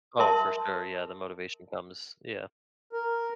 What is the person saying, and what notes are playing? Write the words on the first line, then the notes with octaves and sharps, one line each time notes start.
I oh, for sure, yeah. The motivation comes, yeah.
A#4 E5 A5 C6
A#4